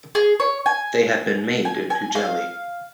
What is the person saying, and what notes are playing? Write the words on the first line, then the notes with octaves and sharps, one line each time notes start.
They have been made into jelly.
G#4
C#5
G#5
G#5
G#5
F5